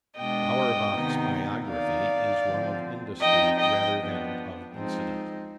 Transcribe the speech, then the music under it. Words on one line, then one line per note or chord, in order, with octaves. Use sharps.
Auerbach's biography is one of industry rather than of incident.
B2 G#3 D4 D#5 G5
C3 D#3 B3 D#4
D#3 B3 D#4 D5 F5
D3 F3 C4
F3 C4 D#4 D#5 G5
D#5 G5
F3 B3 D4
F3 G#3 C4 D#4